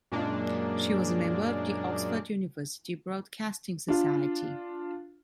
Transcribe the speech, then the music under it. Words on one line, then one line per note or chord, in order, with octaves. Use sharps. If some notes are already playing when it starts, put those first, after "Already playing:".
She was a member of the Oxford University Broadcasting Society.
F#2 A#2 G#3 A#3 D4
D4 F4